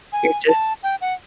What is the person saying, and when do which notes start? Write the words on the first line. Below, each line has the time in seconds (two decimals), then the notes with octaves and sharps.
you're just
0.13 G#5
0.48 A5
0.83 G5
1.01 F#5